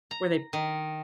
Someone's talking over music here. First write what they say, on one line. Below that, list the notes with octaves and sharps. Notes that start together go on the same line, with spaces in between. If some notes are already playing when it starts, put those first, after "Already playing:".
Where they
A#5
D#3